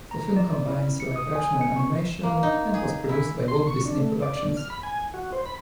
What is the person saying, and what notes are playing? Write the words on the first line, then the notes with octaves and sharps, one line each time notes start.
The film combines live-action and animation, and was produced by Walt Disney Productions.
A#5
D5
E4
C#7
D#6
G#5
C#7
C#6
A#3
D#4
G#4
E4
C6
C#6
D4
A3
D5
D3
F6
B5
G#5
F#4
C5
B5